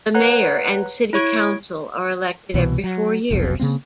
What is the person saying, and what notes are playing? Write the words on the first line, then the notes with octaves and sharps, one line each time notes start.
The Mayor and City Council are elected every four years.
B4 C#5 F#5 A#5 F#6
E4 C#5 C#6 G#6 D7
C2 B2 E3 B3
F#3
F1 B1 F2 B2
C#3 A#3 C4